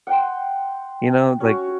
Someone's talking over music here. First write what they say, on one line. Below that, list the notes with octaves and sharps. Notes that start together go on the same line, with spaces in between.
you know, like
F#5 G5 C6
C#4 F#4